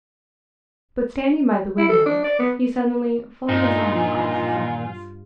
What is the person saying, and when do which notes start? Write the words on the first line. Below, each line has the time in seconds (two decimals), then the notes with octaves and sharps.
But, standing by the window, he suddenly flung his arm across his eyes.
1.78 E4
1.89 A4
2.06 D4
2.24 D5
2.39 B3
3.49 G2 A#2 D#4 F4